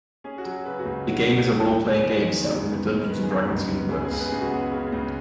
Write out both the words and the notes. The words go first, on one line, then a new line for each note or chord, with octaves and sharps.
The game is a role-playing game set within the "Dungeons and Dragons" universe.
C#4 G#4
F#4
F#3
F#4
C#3 B4
F#4
C#2
C#4 F#4
F#3
C#3
C#2
B3 G#4
B4
G#3
C#5
D#3
F#2
B3
G#3
D#3 B4
G#4
F#2
B4
C#2
B3
C#3 G#4
G#4
C#2
B4
C#2 G#4
F#4
B3 G#4
C#3
C#2